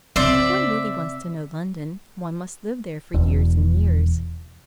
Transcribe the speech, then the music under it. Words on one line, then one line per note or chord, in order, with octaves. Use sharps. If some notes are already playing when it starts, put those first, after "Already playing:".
If one really wants to know London, one must live there for years and years.
C#3 C4 C5 D5 E5
E1 E2